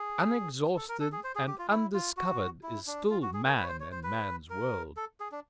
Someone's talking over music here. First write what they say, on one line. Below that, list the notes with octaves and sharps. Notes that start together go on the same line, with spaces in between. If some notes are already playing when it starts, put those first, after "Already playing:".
Unexhausted and undiscovered is still man and man's world.
Already playing: G#4
A4
A#4
A4
G#4
C5
G#4
G4
F4
E4
F4
F#4
E4
D4
F4
F#4
G#4
A#4
B4
C#5
C5
C#5
C5
B4
A#4
A4
G#4
D4